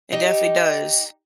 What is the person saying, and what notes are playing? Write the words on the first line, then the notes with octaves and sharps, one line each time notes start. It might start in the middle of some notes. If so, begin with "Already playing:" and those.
It definitely does.
D#4 G4